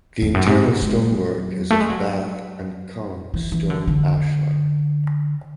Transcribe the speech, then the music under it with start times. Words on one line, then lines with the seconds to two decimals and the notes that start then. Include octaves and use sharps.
The internal stonework is of Bath and Caen stone ashlar.
0.22 E2
0.34 F#2
0.46 G#2
0.82 F#3
1.70 A3
1.80 G#3
1.90 F#3
3.34 E3
3.52 E3
3.70 D3
3.88 D3